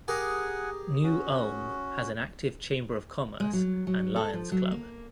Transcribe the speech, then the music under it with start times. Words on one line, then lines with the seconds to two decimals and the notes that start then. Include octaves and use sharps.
New Ulm has an active Chamber of Commerce and Lions Club.
0.08 G4 G#4 A#4 F#5 G#5
1.03 C#4 F#4
3.40 G#3
3.53 F#3
3.87 F#3
4.16 A4
4.33 F3
4.52 F#3
4.71 A#3